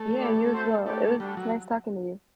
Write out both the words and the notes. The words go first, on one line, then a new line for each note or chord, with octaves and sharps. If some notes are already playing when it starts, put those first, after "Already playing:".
Yeah, you as well. It was nice talking to you.
Already playing: A3
E4 G4 D5
C4 F#4 C5 E5
A3 B3 E4 G4
G3 D4 F#4 A4
F#3